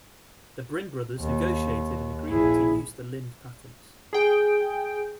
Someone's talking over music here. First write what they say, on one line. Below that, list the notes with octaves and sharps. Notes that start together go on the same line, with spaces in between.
The Brin brothers negotiated an agreement to use the Linde patents.
D#2
A#1 E4 G#4
G#4 G5